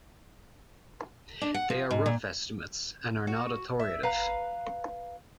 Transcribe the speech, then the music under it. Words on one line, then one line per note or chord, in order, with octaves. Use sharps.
They are rough estimates and are not authoritative.
D4
F#5
F3
G#2
A#2
F#4
E5
B4 F5 F#5 A#5